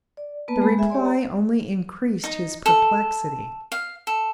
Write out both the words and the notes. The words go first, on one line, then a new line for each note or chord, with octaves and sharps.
The reply only increased his perplexity.
D5
A#3 B3 B4 A5
G#3 B5
G#4 E5 G#5
G4 C#5 D5 C6
A#5
D#4
A4
F5
A4